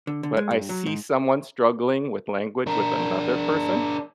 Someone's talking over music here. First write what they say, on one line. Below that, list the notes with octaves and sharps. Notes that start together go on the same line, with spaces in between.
but I see someone struggling with language with another person,
D3
D3
G#3
G2
F#3
G#2
D4 A#4